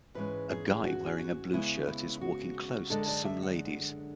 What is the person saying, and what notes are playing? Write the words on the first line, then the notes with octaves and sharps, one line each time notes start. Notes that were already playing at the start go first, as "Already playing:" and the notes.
A guy wearing a blue shirt is walking close to some ladies.
G#2 E3 G#3 C#4 B4
G#4
F#4
G#4
F#4
C#3 G#3 B3 E4
E4
F#4
F#2 D3 G#3 D4 A4
D5
E5
F#5